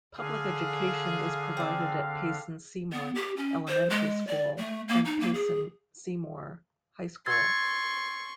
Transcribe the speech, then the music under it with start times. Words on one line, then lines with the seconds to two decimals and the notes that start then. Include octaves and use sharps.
Public education is provided at Payson-Seymour Elementary School and Payson-Seymour High School.
0.17 D3 G#4 F5 G#5
1.57 C4 D5
2.92 B3
3.15 G4
3.37 C#4
3.68 C5
3.90 G#3
4.27 D5
4.58 A3
4.88 A#3
5.05 D#4
5.20 A#3
5.34 G#4
7.26 C6 C#6 E6 G#6 A6